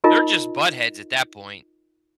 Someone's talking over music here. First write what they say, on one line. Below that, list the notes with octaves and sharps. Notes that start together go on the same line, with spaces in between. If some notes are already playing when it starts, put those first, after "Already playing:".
they're just buttheads at that point.
D#4 F4 A#4 D#5